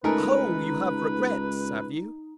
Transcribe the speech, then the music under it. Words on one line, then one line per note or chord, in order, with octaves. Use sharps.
"Oh, you have regrets, have you?"
C#2 A3 D#4 A#4 B4 G#5 A#5